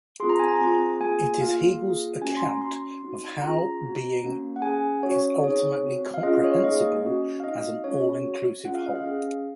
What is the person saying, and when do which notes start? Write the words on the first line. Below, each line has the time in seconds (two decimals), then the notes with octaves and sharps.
It is Hegel's account of how being is ultimately comprehensible as an all-inclusive whole.
0.20 C4 F4 G#4 C6
0.29 A#5
0.39 G#5
0.48 A#5
0.61 C4 F4 G#4
1.00 A#3 F4 G#4 G#5
1.41 A#3 F4 G#4 F5
1.81 A#3 F4 G#4
2.21 A#3 C#4 F#4 G#5
2.37 C6
2.41 A#5
2.62 C#4 F#4 C6
3.02 C4 D#4 F#4
3.42 C#4 F4 G#4 A#5
3.82 C4 F#4
4.23 A#3 C#4 F#4
4.56 F#5
4.62 C#4 G#4 G#5
5.03 C#4 F#4 C#5
5.44 C4 D#4 G#4 C#5
5.83 C4 F#4
6.14 F5
6.23 C#4 F4 G#4 D#5
6.44 C#5
6.55 F5
6.64 A#3 D#4 G#4 D#5
7.03 C#4 F#4
7.40 F5
7.43 C4 D#4 F#4 D#5
7.84 C#4 F4 G#4 C#5
8.24 C4 F#4
8.65 C#4 F4 G#4 F#5
8.75 F5
8.86 D#5
8.95 F5
9.05 C#4 G#4